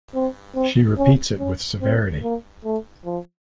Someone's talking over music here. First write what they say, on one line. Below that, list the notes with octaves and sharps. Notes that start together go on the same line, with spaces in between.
She repeats it with severity.
C4
C4
C#4
C#4
C4
A#3
A3
F3